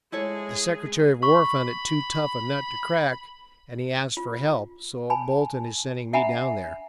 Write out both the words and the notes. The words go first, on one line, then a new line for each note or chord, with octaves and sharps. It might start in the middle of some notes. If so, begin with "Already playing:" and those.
The Secretary of War found it too tough a nut to crack and he asked for help, so Bolton is sending me down there.
G#3 E4 G#4 A4 C#5
B5 C#6
F4
G#5 A5 B5
E5 F#5 G#5 A#5 B5